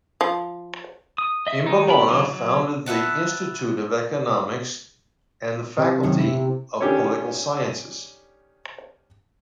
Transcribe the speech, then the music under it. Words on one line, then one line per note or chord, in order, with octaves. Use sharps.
In Bologna founded the Institute of Economics and the Faculty of Political Sciences.
F3
D#6
D#5 E5
D#3 G#3 D#4
G3 B3 A#4 B5
E3 F#3 D#4
F#3
B4 E5 F#5 A5
C3
F#2 D#3
E4
D#3 C#4 D4 G4 A4 C#5